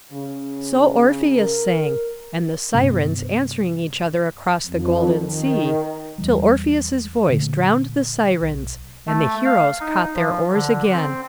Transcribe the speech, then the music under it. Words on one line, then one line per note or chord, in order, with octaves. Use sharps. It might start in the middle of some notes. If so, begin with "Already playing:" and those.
So Orpheus sang, and the Sirens, answering each other across the golden sea, till Orpheus's voice drowned the Sirens, and the heroes caught their oars again.
C#3
A#4
G2 C3 B3
F2
D#3
E2 E3 G3
A#2 D3 A3
B1
A3
F5
D#4
F3
D3
C4